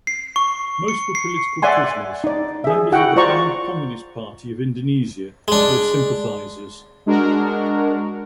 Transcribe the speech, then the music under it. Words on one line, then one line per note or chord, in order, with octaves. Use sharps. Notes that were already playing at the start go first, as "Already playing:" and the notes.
Most were political prisoners, members of the banned Communist Party of Indonesia or sympathizers.
C7
C#6
C#7
C7
D5 E5 F#5 G#5 C6
D#4 D5
G#4 E5
E4 F#4 F#5 G5
F4 C5 D5 A#5 C#6
G#3 D4
G#3 D4 F#4 A#4